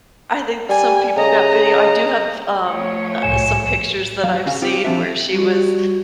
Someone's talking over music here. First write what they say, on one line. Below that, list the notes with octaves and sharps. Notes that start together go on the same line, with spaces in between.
I think some people got video, I do have, um, uh, some pictures that I've seen where she was
G3 G#5
C#3 D#5 A#5
F3 A3 C#5
C2 A2 G#5 E7
G2 F#3 F5
B1 C#3 F#4 G#4 F5
C4 D#4 F4 G4 C5 D5
A#2 F3 A#3 C4 D4 E5
G3 F#4